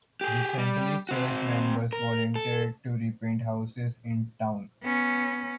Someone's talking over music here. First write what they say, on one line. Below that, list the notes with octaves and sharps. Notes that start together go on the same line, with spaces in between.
Recently church members volunteered to repaint houses in town.
G4 G#4
G3
C4 F#4
A#4
A4
B3 C#4